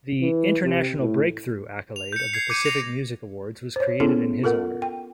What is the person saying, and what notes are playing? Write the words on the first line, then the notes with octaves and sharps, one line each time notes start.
The "International Breakthrough" accolade of the Pacific Music Awards was created in his honour.
E3
C3
A2
F7
G6 C#7
G#6 C7
D6 G6 G#6 C#7 D#7
A#6 C7 F7
C5 C#5
B3 C#4 E4 G#4 A4
F4 A4 A#4 F#5
G5